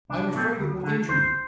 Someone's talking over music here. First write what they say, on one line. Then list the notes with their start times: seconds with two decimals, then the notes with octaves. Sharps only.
"I am afraid it will injure you."
0.10 C2 D4
0.34 B2 A3 C4
0.59 D2
0.83 D3 A3
1.09 D2 C5